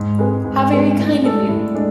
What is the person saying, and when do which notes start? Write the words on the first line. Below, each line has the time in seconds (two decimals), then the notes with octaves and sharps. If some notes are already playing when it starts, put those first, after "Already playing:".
How very kind of you!
Already playing: G#2
0.19 G#3 C4 G#4 B4
0.44 G#2
0.70 G#3 C4 G#4 B4
0.97 A2
1.23 G#3 D4 A4 D5
1.48 A2
1.74 G#3 D4 A4